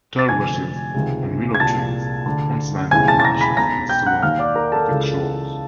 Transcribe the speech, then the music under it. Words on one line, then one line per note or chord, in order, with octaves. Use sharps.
Tule rushes and willow trees once lined the marshes and sloughs of its shores.
A6
F1 F2 D3 G#5 G#6
C#2 C3 D#3
G#6
C2 A#2 A5 A6
D2 D3
E1 D#2 C#3 E3 G#5 G#6
A5 A6
A6
A#5 A#6
B5 B6
B1 B2 A#5 A#6
G5 G6
F#5 F#6
D#2 D#3 F5 F6
D5 D6
A#4 A#5
A4 A5
C#2 C#3 E3